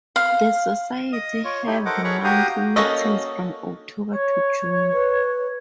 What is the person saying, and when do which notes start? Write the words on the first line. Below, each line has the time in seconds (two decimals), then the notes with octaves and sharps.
The society held monthly meetings from October to June.
0.16 F5
1.13 D#5 D#6
1.44 F4 C#5
1.67 D#4 E4 G4
1.86 A4 A#4 C5 D#5 F#5 D6
2.04 G#4 A#4 C#5 A#5 B5 C#6
2.24 F#4 G4 F5 G5 A#5 D#6
2.76 A#3 C#4 F#4 A4 D#5
4.13 C#5
4.93 B4